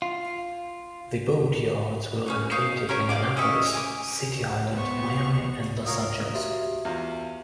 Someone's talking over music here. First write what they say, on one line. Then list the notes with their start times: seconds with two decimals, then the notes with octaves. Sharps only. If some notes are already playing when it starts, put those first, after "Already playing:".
The boatyards were located in Annapolis, City Island, Miami, and Los Angeles.
0.02 F4
2.26 C#4 D#4 F#4
2.51 D#4 F5 C#6 G6
2.89 C#4 A#4 C#5
3.09 D5 F5 D6
3.37 C#4 D#5 E5 C#6
3.74 G#5 D6
4.72 B3 C5 C#6
5.86 F4 A#4 C#5 D#6
6.35 F#4 G4 E5
6.85 E2 F4 A#5